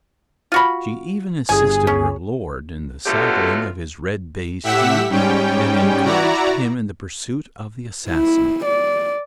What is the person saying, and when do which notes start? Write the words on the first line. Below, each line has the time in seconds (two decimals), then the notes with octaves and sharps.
She even assisted her lord in the saddling of his red-bay steed, and encouraged him in the pursuit of the assassin.
0.52 F4 F#4 B5
1.49 G1 G#4 G#5
1.87 C#4
3.06 B2 D3 F#3 A3 F4 G4
4.63 A2 G4 E5 F#5 E6 B6
5.09 G#2 G3 C#4 G5
6.04 E4 F#4 D5 A#5
8.09 E4
8.65 D5